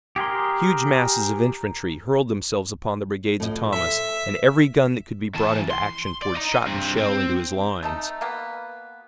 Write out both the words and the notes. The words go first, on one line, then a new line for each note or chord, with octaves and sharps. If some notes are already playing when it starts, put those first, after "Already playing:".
Huge masses of infantry hurled themselves upon the brigades of Thomas, and every gun that could be brought into action poured shot and shell into his lines.
G4 G#4 A#4 C6
A2 F3 D#5
A4 C5 E5 B6
E2 A5
C6
D5
D#5 A#5
G2 C4
C4
A3 D#4 A5
B2 A#3 B3